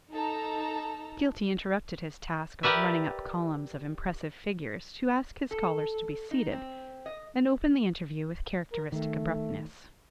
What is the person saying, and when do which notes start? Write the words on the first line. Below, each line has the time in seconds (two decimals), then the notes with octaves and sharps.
Skeelty interrupted his task of running up columns of impressive figures to ask his callers to be seated, and opened the interview with characteristic abruptness.
0.12 D#4 A4 A5 A#5
2.63 G4 A#4 B4 D5 E5
5.51 A4
6.31 D#4
6.52 C4
7.06 D#5
8.72 A#4
8.92 D#3 A3